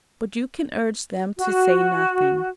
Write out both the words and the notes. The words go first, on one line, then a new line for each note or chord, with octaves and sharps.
'But you can urge them to say nothing.
F#4